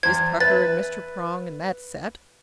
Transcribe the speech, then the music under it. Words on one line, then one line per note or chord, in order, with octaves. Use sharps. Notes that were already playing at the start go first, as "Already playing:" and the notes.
"Miss Pucker, and Mr. Prong, and that set."
E2 C5 G#6
B4 E5 A6